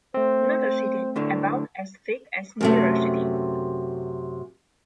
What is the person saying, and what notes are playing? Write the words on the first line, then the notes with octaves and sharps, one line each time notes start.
Notochaetae about as thick as neurochaetae.
A3 C4 C5
D2 A2 D3
F#2 C3 A3